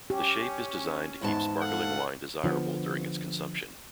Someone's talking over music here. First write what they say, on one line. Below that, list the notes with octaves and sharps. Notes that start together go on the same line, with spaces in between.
The shape is designed to keep sparkling wine desirable during its consumption.
C#4 G4
E2 G#2 A5
A4 F5 F#5
D3 F3 G3 B3